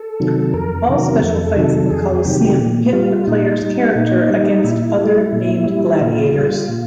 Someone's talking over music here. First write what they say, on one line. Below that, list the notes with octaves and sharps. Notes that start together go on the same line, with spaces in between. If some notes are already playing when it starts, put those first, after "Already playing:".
All special fights in the Colosseum pit the player's character against other named gladiators.
Already playing: A4
C3 D#3 F#3
F2 A#4
C3 D#3 F#3
F2 A4
C3 D#3 F#3
F2 G#4
C3 D#3 F#3 G4
A#2
G3 F4
A#2 D#4
G3
A#2 D#4
G3
A#2 E4
G3
A#2
G3
A#2 F4
G3
A#2